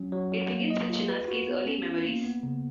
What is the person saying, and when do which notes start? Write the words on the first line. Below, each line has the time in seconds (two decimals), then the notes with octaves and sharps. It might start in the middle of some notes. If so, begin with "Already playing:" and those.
It begins with Chinaski's early memories.
Already playing: F#3 C#4
0.12 F#3
0.32 F#3
0.51 A#3
0.70 D#5
0.90 F4
1.08 B4
1.28 F#4
1.47 B3
1.66 C#4
1.85 F4
2.05 A#3
2.24 B3
2.43 C#3